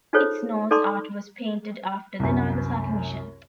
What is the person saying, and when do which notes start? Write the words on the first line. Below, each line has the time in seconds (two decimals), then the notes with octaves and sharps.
Its nose art was painted after the Nagasaki mission.
0.13 D#4 F4 G#4 A4 C5 C#5
0.71 D#4 A4 D5 A#5 C6 D6
2.20 C2 F#2